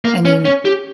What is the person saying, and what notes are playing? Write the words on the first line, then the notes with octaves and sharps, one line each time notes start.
I mean,
A#3
C#4
C#4
G4